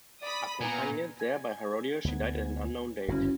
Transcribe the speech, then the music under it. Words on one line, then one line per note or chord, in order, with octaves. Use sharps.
Accompanied there by Herodias, he died at an unknown date.
D5 B5 D#6
A#2 B3 G#5 A#5
G#5 G#6
D2 B3
G1 F#2 C#3 C#4 E4 F#4